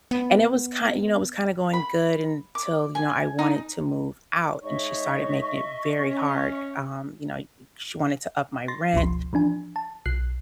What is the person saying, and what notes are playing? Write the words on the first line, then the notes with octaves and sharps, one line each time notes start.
And it was ki you know, it was kinda going good until, you know, I wanted to move out, and she started making it very hard, um, you know, i she wanted to up my rent
B3
B5
D6
G#5
D#4
G#3 D#4 C#5 D#5 E5 C#6
C#4
C6 A6 A#6
G1 C#2 B2 F3 C6
E3 F3 D4 G#5
A5
B1 F#6 C7